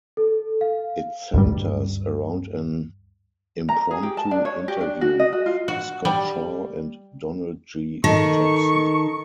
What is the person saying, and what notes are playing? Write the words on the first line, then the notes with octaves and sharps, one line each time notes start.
It centers around an impromptu interview with Scott Shaw and Donald G. Jackson.
A4
F5
D2 G2 G3
A#5
G#4
G4
A5
D4
C#5
G4
D4
F#4
D#5
F#4
F4
F#4
G3
D#3 A4 D#5 A5 C#6